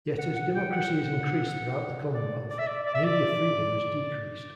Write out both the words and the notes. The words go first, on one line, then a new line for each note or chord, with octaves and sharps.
Yet as democracy has increased throughout the Commonwealth, media freedom has decreased.
F#5
F#5
G5
F#5
D5
D5
E5
D5
D5
E5
D5